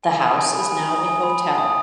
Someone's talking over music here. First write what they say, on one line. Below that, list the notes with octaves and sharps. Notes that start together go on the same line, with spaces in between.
The house is now a hotel.
G#5
D#6
G#5
B5
G#5
D#6
G#5
B5
G#5
D#6